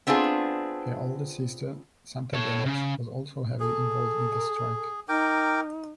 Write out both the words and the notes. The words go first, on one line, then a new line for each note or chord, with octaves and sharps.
Her older sister, Santa Benash, was also heavily involved in the strike.
B3 C4 D4 F4 G#4
A4 C#5
C#3
G#4 A4
D#4 A#4 G5 D6